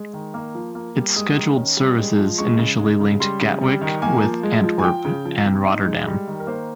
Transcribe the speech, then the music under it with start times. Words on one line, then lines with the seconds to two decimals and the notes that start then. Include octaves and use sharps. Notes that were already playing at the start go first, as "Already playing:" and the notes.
Its scheduled services initially linked Gatwick with Antwerp and Rotterdam.
Already playing: G#3
0.13 D#3
0.34 A#3
0.55 F3
0.75 A#3
0.96 G3
1.16 G#3 D#6
1.36 D#3
1.57 C#4
1.77 G3
1.98 G#3
2.18 F3
2.38 G#3 C#6
2.59 C#3
2.80 G#3
3.00 C#3
3.20 G3 C6
3.41 C#3
3.61 G3
3.81 D#3
4.02 A#3 G#5
4.23 F3
4.43 G#3
4.64 F3
4.79 G#5
4.84 F3 G5
5.05 C#3
5.25 F3
5.45 C3
5.66 D#4
5.86 G#3
6.07 G3
6.27 D#3
6.40 A#4
6.47 A#3 C5